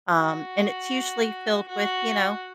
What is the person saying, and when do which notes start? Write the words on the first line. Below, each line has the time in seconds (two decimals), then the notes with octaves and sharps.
um, and it's usually filled with, you know,
0.16 F#4
1.68 F#4